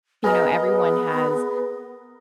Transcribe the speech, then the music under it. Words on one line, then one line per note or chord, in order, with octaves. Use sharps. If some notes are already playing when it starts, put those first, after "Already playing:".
you know, everyone has
B3 G#4 A#4 B4 D#5